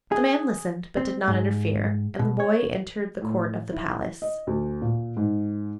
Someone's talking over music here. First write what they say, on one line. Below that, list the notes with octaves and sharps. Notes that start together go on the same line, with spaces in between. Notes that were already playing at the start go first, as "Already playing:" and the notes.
The man listened, but did not interfere, and the boy entered the court of the palace.
G#4
C4
G#2
B2
C#5
A2
E4
D#5
D2
A#2
G#2